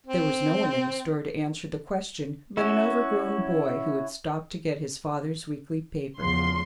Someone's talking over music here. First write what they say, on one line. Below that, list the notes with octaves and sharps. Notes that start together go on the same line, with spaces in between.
There was no one in the store to answer the question but an overgrown boy who had stopped to get his father's weekly paper.
C4
C#4 E4 F#4
E2 C#3 F3 C6